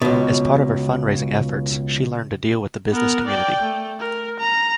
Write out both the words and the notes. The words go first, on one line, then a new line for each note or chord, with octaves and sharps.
As part of her fundraising efforts, she learned to deal with the business community.
C#2 B2
B3 A#4
D5 G5
A3
A#4
A#5